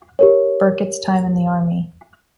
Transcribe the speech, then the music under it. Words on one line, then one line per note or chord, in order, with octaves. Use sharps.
Burkett's time in the Army.
G4 A#4 C#5